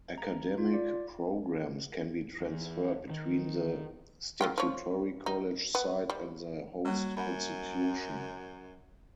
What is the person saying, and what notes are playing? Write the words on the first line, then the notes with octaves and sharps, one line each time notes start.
Academic programs can be transferred between the statutory college side and the host institution.
A#5
F4
D5
E2
D#3
F#3 F4 G5
F3 C#5
D#4
B3
G3
F#3 G3 A#3
F#2 F#5 B5